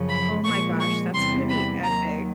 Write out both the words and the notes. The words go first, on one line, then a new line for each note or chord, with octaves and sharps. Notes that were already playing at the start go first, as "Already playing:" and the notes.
Oh my gosh, that's gonna be epic.
Already playing: F#2 C#3 F3
B5
A#2 F3 G#3 C#6
C#6
E2 C3 E3 G3 C6
B5
D#2 D#3 F#3 A#5